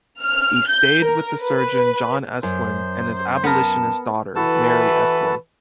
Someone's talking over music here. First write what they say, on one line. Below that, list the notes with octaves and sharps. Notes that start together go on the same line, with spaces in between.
He stayed with the surgeon John Estlin and his abolitionist daughter Mary Estlin.
F6
G6
A#4
B4
F#2 C5
B3 A#4 A5
E3 F#4 A4 B4 A5